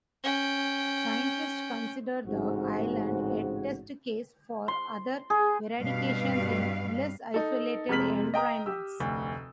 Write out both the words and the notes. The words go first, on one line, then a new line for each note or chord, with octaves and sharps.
Scientists considered the island a test case for other eradications in less isolated environments.
C#4 G5
A1 G#2 C#3 C4 F#4
C6
G#4
G2 B2 G3 B4 F5
D#4 A4
F2 C3 G#3 F6 B6 F#7
D#5 G5 A#5 D#6
G4 E6
F1 D2